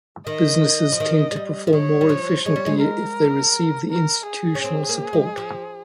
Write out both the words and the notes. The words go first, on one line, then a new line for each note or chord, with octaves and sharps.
Businesses tend to perform more efficiently if they receive the institutional support.
D#3 D#5
F3
D#3
G#3
G3
F3
D#3 C#5
G3
F3
G#3 C#5
G3
G#3
A#4
A#4
G#4
C#4
C4
A#3
G#3
F3